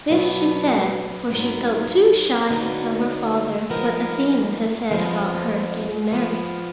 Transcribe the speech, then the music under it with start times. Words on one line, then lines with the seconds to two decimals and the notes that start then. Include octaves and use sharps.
This she said, for she felt too shy to tell her father what Athene had said about her getting married.
0.09 B2 F#3 B3 D4
1.30 G#2 F#3 B3
2.50 D3 F#3 B3 D#4 F#4
3.70 F3 B3 D#4 A#4
4.91 F2 F3 G#3 B3 F4
6.11 F3 B3 F4